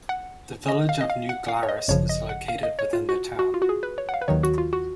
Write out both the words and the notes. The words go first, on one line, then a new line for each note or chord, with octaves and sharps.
The village of New Glarus is located within the town.
F#5
D#5
F5
D#5
F5
F#5
F5
C#5
D#5
G#1 F#2 C#3 F3 C#5
D#5
F#5
F5
D#5
C#5
F4
F#4
F#4
F4
F#4
G#4
B4
C#5
F#5
F5
B4
D#2 D#3 F#3 C#5
F#4
F4
F#4